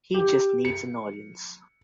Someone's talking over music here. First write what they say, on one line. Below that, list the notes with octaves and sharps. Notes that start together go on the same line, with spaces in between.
He just needs an audience.
G4
C#7